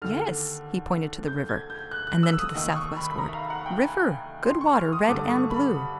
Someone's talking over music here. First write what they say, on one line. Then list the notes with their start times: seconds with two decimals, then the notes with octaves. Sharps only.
Yes, he pointed to the river, and then to the southwestward. "River--good water--red and blue."
0.02 D#2 D3 F6
1.28 G6
1.49 G#6
1.70 G6
1.91 F#6
2.07 F#6
2.23 E6
2.39 D#6
2.55 D#2 D#3
2.76 C#6
2.97 B5
3.11 B5
3.18 A#5
3.28 E5
3.34 F5
3.50 F#5
3.66 G5
3.81 G#5
4.45 C6
4.61 C#6
4.76 F6
4.93 D#6
5.08 G2 D3 D6
5.29 C#6
5.50 B5